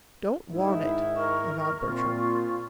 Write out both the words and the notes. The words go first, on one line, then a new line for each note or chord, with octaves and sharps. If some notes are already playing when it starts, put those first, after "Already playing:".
"Don't want it," avowed Bertram.
G#2 D#3 D#4 E4
A#4 C#6
A#2 C4 F4